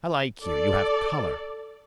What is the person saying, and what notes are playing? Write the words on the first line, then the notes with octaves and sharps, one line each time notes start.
I like you--you have color.
A4 D5